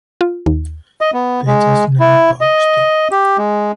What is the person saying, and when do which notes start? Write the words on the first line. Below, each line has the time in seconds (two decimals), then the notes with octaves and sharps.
They just never published it.
0.21 F4
0.46 D#2
1.01 D#5
1.14 B3
1.47 G#3
2.00 E4
2.41 D#5
3.11 G4
3.38 G#3